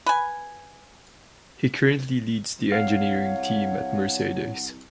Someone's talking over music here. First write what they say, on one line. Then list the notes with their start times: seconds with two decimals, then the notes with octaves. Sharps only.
He currently leads the engineering team at Mercedes.
0.06 B4 G#5
2.72 C2 C#5 F5 F#5